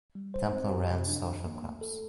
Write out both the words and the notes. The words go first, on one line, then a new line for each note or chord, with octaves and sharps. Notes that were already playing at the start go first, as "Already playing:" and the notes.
Templer ran social clubs.
G3
C5
C4
G4
C3
D4
D#3
A#3
A3
A4